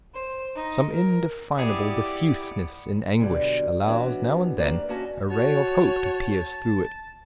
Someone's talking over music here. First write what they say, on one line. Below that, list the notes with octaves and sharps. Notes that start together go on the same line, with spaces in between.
Some indefinable diffuseness in anguish allows now and then a ray of hope to pierce through it.
C5
D#4
A#4
B3 E4 G4 G#4 D5
G2 B2 D3 D#3 F#3 G3
E3 G#3 B3 C#4 D4 F#4
A3 A#3 C4 G4 B4 D5
A#3 C#4 F#4 D#5 F#5 A5
F#4 C#5 A5